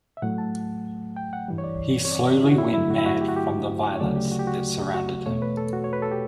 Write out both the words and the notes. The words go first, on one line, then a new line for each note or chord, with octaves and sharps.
He slowly went mad from the violence that surrounded him.
E5
A2 F#3 A3 F#5
A5
G5
F#5
G2 E3 G3
C#5
D5
C#5
D5
E4
F#4
E4
G2 D3 F#3 A3 E4
F#4
E4
F#4
G4
F#4
G4
C#5
D2 C#3 F#3 A3 D5
G4
F#4
G4
F#4
F#4
E2 B2 A3 C#5
B4
A4
F#4
C#5
B4
A4
G4